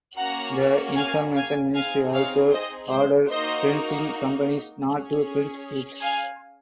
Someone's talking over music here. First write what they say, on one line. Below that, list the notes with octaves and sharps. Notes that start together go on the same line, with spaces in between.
The information ministry also ordered printing companies not to print it.
A#3 C#4 F#4 F#5 A#5
F5 G#5
F5 G#5
C4 D#4 G#4 F5 G#5
C#5 F5
C5 D#5
C5
A#3 D#4 F#4 C5 D#5
C#4 G#4
F5 G#5